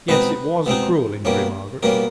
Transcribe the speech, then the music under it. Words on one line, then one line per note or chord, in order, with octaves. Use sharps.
Yes, it was a cruel injury, Margaret.
B2 G#3 C4 D#4 B4
B2 G#3 C4 D#4
B2 G3 A#3 C#4
B2 G3 A#3 C#4 A#4